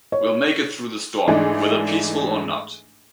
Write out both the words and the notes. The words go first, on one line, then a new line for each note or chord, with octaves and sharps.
We'll make it through the storm, whether peaceful or not.
C#5
G#2 E3 G#3 A3 D4 G#4